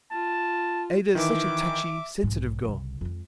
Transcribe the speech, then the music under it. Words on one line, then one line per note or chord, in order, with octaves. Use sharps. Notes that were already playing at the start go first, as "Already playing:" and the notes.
Ada is such a touchy, sensitive girl.
F4 A5
D#3 E3 E5 D6
B1 G#2
C2 C#3
F2 G#3